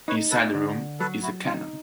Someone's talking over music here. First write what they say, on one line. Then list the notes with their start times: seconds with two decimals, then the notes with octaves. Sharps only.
Inside the room is a cannon.
0.08 D#4 B4 C#5
0.31 A4 B4
0.54 D3
1.00 F#3 A4 B4
1.23 E4 F#4
1.45 D#4 F4